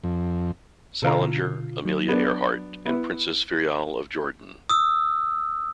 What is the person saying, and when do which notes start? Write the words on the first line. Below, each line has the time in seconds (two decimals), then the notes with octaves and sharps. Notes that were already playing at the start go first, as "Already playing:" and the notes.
Salinger, Amelia Earhart, and Princess Firyal of Jordan.
0.04 F2
1.02 B2 D3 F4 A4 F5 A#5
1.85 F#3
2.08 B3 D4
2.85 B3 E4
4.69 D#6 E6